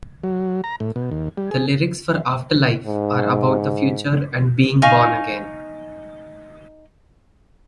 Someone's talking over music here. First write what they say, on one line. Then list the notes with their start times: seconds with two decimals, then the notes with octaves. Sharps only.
The lyrics for "After Life" are about the future and being born again.
0.24 F#3
0.64 A#5
0.80 A2
0.96 B2
1.11 D#2
1.37 G3
1.51 G#4
2.86 G#2
4.82 D#4 F5 G#5 C#6